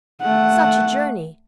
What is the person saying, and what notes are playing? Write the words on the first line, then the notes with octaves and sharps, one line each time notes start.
"Such a journey!"
A3 F#5